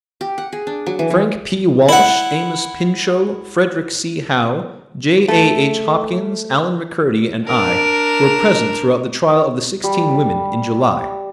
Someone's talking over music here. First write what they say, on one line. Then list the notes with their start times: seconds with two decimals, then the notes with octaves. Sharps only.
Frank P. Walsh, Amos Pinchot, Frederic C. Howe, J. A. H. Hopkins, Allen McCurdy and I were present throughout the trial of the sixteen women in July.
0.21 G4
0.38 F#5
0.52 G#4
0.67 D4
0.86 F#3
0.99 E3
1.10 E3
1.89 E4 F#5
5.28 A3
7.46 D4 A#4
9.84 G3